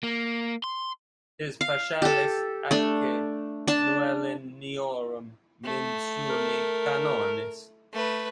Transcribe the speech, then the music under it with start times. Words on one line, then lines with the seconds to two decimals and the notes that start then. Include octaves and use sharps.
His Paschales atque nouiluniorum mensurni canones.
0.03 A#3
0.64 C6
1.61 F5
2.02 G4 A4
2.71 A3 D4
3.68 D4 A5
5.64 A3
6.30 A#4
7.93 A3 B4